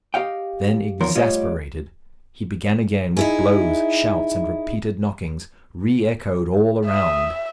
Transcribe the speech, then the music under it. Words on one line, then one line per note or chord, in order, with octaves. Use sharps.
Then, exasperated, he began again with blows, shouts, and repeated knockings, re-echoed all around.
G4 D#5 F5 G5
B1 E2 D#3 F3 A#4 C6
G3 A3 F4 G4 C#5 D#5
D#4 E4 G#4
E5 D#6